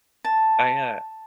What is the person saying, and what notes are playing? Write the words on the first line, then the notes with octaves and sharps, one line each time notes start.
I, uh
A5